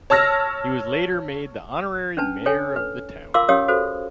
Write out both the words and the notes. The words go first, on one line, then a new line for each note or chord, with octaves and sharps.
He was later made the honorary mayor of the town.
C#5 A5 E6 F6 A#6
C#4 D4 B4 A5
A4 C#5 G5 G#5
B4
F4 A#4 F5 C6 D6 E6
C#4 G4 A#4 C#5 F5 D#6
F#4 A4 C5